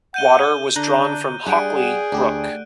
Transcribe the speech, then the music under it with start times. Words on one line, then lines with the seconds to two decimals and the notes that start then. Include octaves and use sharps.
Water was drawn from Hockley Brook.
0.14 F#5 G6 D#7 G7
0.76 D3 D4 A#5 F#6
1.46 G3 D4 G#4 F#5 G5 F#6 D7
2.12 D2 D4 G4